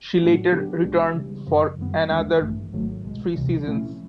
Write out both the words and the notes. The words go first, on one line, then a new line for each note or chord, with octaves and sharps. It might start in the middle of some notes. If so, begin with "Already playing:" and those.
She later returned for another three seasons.
A2 F#3 A3 D4 F#4
D3 F#3 B3 D4 G4
C#2 B2 G#3 B3 D4
C#3 E3 G3
F#2 C#3 F3
F#2 D#3 G3 B3
D#2 D#3 G#3 B3 D4
A1 G2 E3 A3
G#1 G#2 D#3 F#3 A3
B1 B2 G#3
D2 C3 E3 G3
A#2 F3 A3 C#4 E4